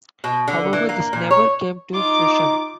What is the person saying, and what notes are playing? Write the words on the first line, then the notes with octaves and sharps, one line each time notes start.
However, this never came to fruition.
B2
D3
E3
A#3
A#2
C#5
D#4 F4 D6